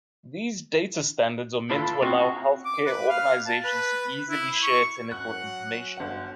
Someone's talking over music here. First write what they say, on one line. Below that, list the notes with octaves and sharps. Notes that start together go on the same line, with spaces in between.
These data standards are meant to allow healthcare organizations to easily share clinical information.
D4 E4 F4 G4 A4 B4
C4 C#4 F4 F#4 G#4
D6
B4
F5
A5
B4
E4
C#6
F#3 C#4 F#4 F#5 F#6
G1 F#5